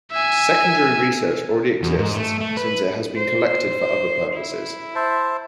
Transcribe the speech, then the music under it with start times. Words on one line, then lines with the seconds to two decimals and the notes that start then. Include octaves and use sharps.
Secondary research already exists since it has been collected for other purposes.
0.12 E5 G#5
1.83 E2
1.98 G#2
2.14 A3
2.41 A3
2.57 B4
3.15 C5
4.34 E4
4.95 C5 E5 A5